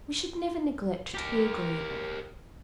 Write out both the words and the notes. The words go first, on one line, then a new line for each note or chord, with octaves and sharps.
We should never neglect to be agreeable.
G4 A#4